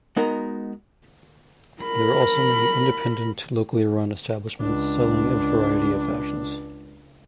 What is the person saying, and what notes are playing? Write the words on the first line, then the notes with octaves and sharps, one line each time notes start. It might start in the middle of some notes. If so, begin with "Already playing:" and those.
There are also many independent, locally run establishments, selling a variety of fashions.
G#3 B3 D#4 F#4 A#4
A#4 B5
C#2 D4